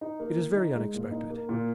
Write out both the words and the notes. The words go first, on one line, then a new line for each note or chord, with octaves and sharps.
It is very unexpected.
D#4
A#3
D#3
D#4
G#3
A#2
D#4
A#3
A#2